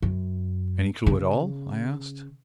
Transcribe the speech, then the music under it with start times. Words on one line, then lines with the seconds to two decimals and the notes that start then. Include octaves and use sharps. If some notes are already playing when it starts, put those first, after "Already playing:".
"Any clew at all?" I asked.
0.02 F#2
1.06 C#3